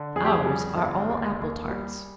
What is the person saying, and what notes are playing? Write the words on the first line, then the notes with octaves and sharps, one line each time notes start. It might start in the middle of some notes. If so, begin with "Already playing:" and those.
Ours are all apple-tarts.
Already playing: D3
F2 G#4
G4
G#4
G3
G1
D#2
D#2
G3